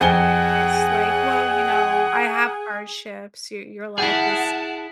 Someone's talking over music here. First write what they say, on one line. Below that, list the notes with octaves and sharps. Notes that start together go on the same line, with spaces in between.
uses. Like, "Well, you know, I have hardships. Your your life is,
F2 G#4 F#5 G#5 G7
E4 G#4 F#5 A5